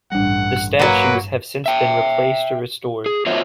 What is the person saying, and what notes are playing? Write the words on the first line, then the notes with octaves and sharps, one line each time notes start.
The statues have since been replaced or restored.
A1 G2 G3 D4 F#5
G2 F#3 A#3 B4
E5 G5
G#4
F4 F#4 C5 C#5 E5